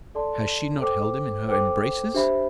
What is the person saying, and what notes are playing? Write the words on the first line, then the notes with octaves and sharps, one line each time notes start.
Has she not held him in her embraces?
A4 D5 A5 C6
A4 C5 G5 D6
A4 C5 G5 D6
D4 G4 C5 E5 B5